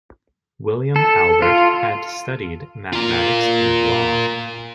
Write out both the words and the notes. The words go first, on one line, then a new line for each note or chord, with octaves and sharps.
William Albert had studied mathematics and law.
A4
F4
F4 A#4